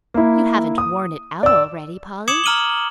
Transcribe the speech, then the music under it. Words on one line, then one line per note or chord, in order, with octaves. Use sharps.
"You haven't worn it out already, Polly?"
A#3 E4
D#6
D5 E6
D6 D#6 G#6 C#7 E7 F#7
A#5 F6 D#7 F#7 G7